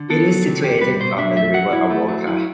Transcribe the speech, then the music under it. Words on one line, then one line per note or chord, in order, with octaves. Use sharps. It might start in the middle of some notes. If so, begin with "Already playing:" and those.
It is situated on the River Avoca.
Already playing: D3
B3 A4
F#3
C3
E2 G4
G3 B4
B2 C5
D4 E5
A3 E5
F#3 F#5
E4
A3
F#3
E4